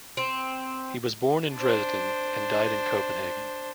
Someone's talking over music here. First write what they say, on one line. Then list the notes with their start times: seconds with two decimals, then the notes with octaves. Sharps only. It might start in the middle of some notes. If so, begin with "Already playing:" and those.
He was born in Dresden and died in Copenhagen.
0.17 C4
1.54 D4 C5